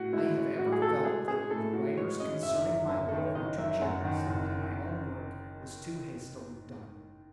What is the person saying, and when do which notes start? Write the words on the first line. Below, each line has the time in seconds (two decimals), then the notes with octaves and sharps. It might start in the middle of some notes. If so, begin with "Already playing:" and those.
I have ever felt that the writers concerning my life were too generous and that my own work was too hastily done.
Already playing: A2 F#4
0.13 G#3 E4
0.36 C#4
0.59 A2 F#4
0.72 G#4
0.82 F#4 A4
1.05 G#3 G#4
1.28 C#4 G#4
1.51 A2 A4
1.74 F#4
1.97 G#3 C#5
2.20 C#4 D#5
2.43 F#1 E5
2.66 F#3
2.89 F#2
3.09 D#3 A4
3.18 B4
3.26 C#5
3.35 F#1 D#5
3.58 F#3 E5
3.82 F#2 F#5
4.04 D#3 F#5
4.27 F#1